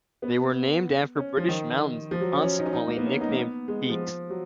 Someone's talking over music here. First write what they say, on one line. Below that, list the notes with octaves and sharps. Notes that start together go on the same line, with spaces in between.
They were named after British mountains, and consequently nicknamed Peaks.
B3
C#4
F3
D#3
F3
F#3
C#4
C#4
D#4
C#4
D#4
A#3
B3
C#4
D#4
A#3
B3
G#3
F3
F#3